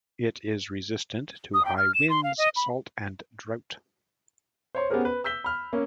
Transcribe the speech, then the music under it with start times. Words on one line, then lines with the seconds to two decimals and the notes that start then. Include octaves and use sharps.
It is resistant to high winds, salt and drought.
1.54 D#6
1.65 G5
1.78 F6
1.94 E7
2.10 C6
2.23 F5
2.38 D#5
2.56 B5
4.75 C5 C#5 C6
4.90 B3 C#4 G4 G#4 A#4 C5
5.05 B4
5.24 E6 G6 B6 G7
5.44 B5 F6
5.73 A#3 C#4